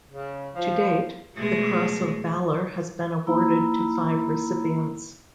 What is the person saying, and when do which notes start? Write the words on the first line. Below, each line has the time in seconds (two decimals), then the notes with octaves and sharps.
To date, the Cross of Valour has been awarded to five recipients.
0.12 C#3
0.55 F3
1.35 B2 G#3 A3
3.27 A#3 D#4 E4 A#5 B5 E6